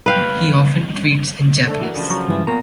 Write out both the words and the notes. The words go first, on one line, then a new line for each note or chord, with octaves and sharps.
He often tweets in Japanese.
B4 F5 G5
A3 D4 A4
E3 F#4 A#4
C#3 F3 D4
F#3 A#5 C#6
G2 E3 G3 G#3
A#2 B3 A#4 A#5 C#6